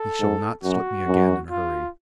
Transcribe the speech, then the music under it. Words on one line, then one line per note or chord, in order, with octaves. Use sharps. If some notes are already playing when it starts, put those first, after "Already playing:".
"He shall not slip me again in a hurry."
Already playing: A4
G#2
F#2 F#4
F#2
F4